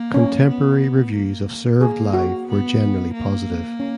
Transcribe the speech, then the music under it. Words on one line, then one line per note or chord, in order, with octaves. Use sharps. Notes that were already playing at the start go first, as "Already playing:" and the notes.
Contemporary reviews of "Served Live" were generally positive.
Already playing: A#3
C#4
B3
A#3
A#3 G#4
F#4
B3
A#3
C#4